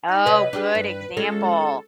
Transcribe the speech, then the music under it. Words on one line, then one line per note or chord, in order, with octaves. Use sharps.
Oh, good example.
D#4
C3 B4 C#5 D#5
D4 G4 G#4
G2
G#3 C#4 F4 A4